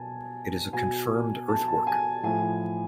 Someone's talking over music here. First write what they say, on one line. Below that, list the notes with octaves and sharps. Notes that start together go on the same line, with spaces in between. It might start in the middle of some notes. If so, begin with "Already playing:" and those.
It is a confirmed earthwork.
Already playing: B2 G#5 A5
B2 G#5
A5
A5
G#5
A2 F3 G#5